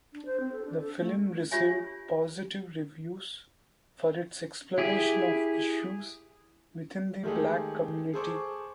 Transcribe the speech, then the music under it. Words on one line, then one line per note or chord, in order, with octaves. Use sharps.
The film received positive reviews for its exploration of issues within the black community.
D4
C5
C4
A4
D4
A4
A3
D4 F4 G4 C#5 E5 G#5
E4 G4 G#4
D#3 G#3 A3 G4 G#4
G#4 A4 C5 C#6 D6